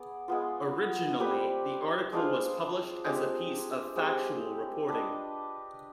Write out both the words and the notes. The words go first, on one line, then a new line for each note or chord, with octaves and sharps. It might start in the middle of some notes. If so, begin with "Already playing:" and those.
Originally, the article was published as a piece of factual reporting.
Already playing: B3 G#4 D5
G#3 B3 F4
G3 C4 G4 B4
G#3 D4 F4 C5
G#3 C4 G4
G#3 C4 G4
D4 G4 B4 D#5